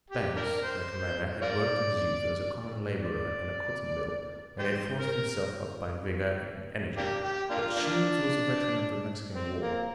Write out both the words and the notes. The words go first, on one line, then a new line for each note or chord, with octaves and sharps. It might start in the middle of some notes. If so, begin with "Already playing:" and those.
Banks, their commander, had worked in his youth as a common laborer in a cotton mill, and had forced himself up by vigor and energy, but Shields was a veteran of the Mexican War.
G4
D4 G4 A#4
C5
F4 A#4 D5
D5
G4 C5
A#4
A#3 D4 G4
G4
A#3 D4 F4
F3 A#3 D4
C4
A#3